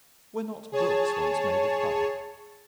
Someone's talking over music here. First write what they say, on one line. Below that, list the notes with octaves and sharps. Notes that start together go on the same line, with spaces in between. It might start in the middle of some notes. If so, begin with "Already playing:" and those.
Were not books once made of Bark?
G#4 C#5 A5